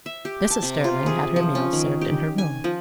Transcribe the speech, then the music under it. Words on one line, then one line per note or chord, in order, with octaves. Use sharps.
Mrs. Sterling had her meals served in her room.
E5
G4
A5
C3
F4
G#4
F3
C#4
D#3
G4
G#5
F3